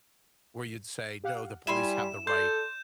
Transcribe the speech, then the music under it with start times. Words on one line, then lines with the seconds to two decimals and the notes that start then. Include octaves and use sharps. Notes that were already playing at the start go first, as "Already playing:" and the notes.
where you'd say, "No, the police have the right
1.24 G4 F5 F#5
1.67 G3 E4 G#5 B5 C6 E7
2.27 A4 D5 C6 G6